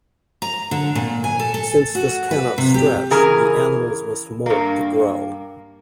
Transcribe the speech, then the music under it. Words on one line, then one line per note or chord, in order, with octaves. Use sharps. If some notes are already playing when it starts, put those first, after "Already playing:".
Since this cannot stretch, the animals must molt to grow.
A#5
D3
A#2
G#5
A4
A4
F#4
B4
C3
G4
C#3 E3 G#4 A#4
G2 A#3